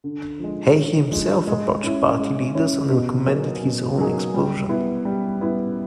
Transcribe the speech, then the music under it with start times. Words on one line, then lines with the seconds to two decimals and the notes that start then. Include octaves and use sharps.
Hay himself approached Party leaders and recommended his own expulsion.
0.04 D3
0.40 F3 G#3
0.76 D3
1.11 F3 G#3
1.47 G#3
1.83 C#4 E4
2.19 G#3
2.55 C#4 E4
2.90 B2
3.27 F#3 A#3 D#4 G#4
3.63 B2
3.98 F#3 A#3 D#4 G#4
4.34 G3
4.69 B3 E4
5.05 G3
5.41 B3 E4